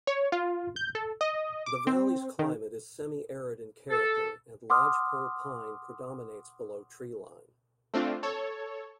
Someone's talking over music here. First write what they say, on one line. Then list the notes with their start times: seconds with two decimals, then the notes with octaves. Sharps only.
The valley's climate is semi-arid in character and lodgepole pine predominates below treeline.
0.07 C#5
0.32 F4
0.76 G6
0.95 A4
1.21 D#5
1.66 D6
1.87 C4
2.39 D#3
3.90 A4
4.70 F#5 C6 D6 D#6 F6
7.94 A3 C4 D4 F4
8.23 A4 C#5